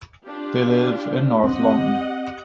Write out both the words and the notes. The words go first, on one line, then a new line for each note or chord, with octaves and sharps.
They live in north London.
D4 F4 G4
C4 G4 D#5 F#5